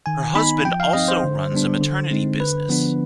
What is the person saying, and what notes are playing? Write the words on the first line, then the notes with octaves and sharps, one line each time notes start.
Her husband also runs a maternity business.
D#3 G#5
B3 D#4 B5
F3 G5
F5
C4 D#4 D#5
C5
D3
G3 B3 D4
D3
G#3 C4 D#4
D3 B4
F3 B3 D4